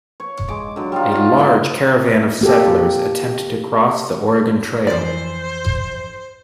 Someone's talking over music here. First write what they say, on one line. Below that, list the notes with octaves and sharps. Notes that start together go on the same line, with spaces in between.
A large caravan of settlers attempt to cross the Oregon Trail.
C#5
G#3 D6
D3 F#3
G3 D#4 F4
F4 F#4 F5
D3 A#3 B3 D5
A#3 G4 A4
F2 E3 C5 D5